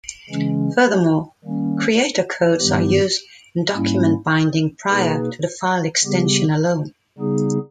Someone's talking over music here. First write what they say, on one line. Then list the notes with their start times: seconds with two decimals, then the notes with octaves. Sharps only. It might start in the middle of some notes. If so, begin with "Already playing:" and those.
Furthermore, creator codes are used in document binding prior to the file extension alone.
0.30 C#3 E3 G#3 C#4
1.44 D#3 G3 A#3 C#4
2.59 G2 D#3 G3 B3 G4
3.74 G#2 G3 A#3 C#4 E4
4.89 B2 A#3 D#4 G#4 B4
6.04 C#3 G3 B3 G4
7.18 C#3 G3 B3 D#4 G#4